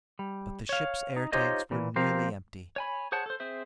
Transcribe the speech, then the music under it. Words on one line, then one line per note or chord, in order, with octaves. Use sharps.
But the ship's air tanks were nearly empty.
G3
C#5 F5
D#4
D#4 F4 G4 C5 C#5 D#5
A#2 E3
F3 C4 G4 A#4 F5
C#5 G#5 B5
G#4 C5 C#5 F#5 A5
A4 C5
C4 G#4 C5 E5